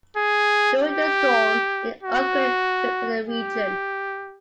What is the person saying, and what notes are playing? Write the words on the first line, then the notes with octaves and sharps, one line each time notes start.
During the storm, an earthquake shook the region.
G#4
G4
F#4
G4